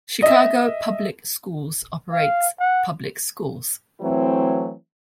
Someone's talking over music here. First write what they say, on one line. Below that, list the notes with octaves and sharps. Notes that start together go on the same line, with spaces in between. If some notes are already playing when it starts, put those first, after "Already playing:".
Chicago Public Schools operates public schools.
D#5 E5
F5
F#5
E3 F#3 A3 C4 E4